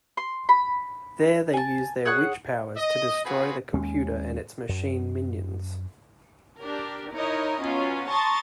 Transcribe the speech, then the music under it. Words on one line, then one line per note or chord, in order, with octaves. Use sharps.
There they use their witch powers to destroy the computer and its machine minions.
C6
B5
G#5 A5
G#4 C#5 F#5 F#6
D#5
B3 C4 F4 F#4 G#4 B4
D#2 G#3 C#4
F#2
D4 G4 A#4
D#4 E4 A#4 C#5 D#5
F#3 B3 C#4 F4
A5 A#5 C6 C#6 D#6 A6